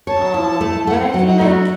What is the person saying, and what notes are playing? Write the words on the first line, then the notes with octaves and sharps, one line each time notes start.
Um, but I feel like
C#5 A5
E4
A3
A3 F#5
F#5
F#3
F#5
A3 E4
F#4